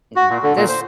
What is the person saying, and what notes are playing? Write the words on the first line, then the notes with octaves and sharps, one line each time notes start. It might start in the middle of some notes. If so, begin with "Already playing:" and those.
and this
F#4
A#2
D3
A#2
C5